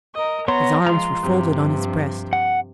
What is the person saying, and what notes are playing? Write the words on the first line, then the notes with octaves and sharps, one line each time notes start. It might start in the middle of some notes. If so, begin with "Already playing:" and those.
His arms were folded on his breast.
A#4 D#5
B3 C#5 A#5 C6 A#6
F3 G#3 F4 A#5 C6
G2 C3 F3
F#5